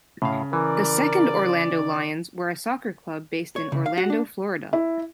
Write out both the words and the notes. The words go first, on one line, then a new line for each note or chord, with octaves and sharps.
The second Orlando Lions were a soccer club based in Orlando, Florida.
A2 C#3 F5
E3 A#4 D5
C#5
C#3
F5
F#4
D4
E4